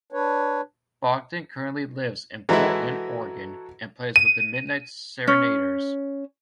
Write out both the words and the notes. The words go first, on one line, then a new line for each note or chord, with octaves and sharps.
Bogdan currently lives in Portland, Oregon and plays with the Midnight Serenaders.
D4 B4 C#5
E3 G#3 E4 F#4 A4 A#5
D#7
C#4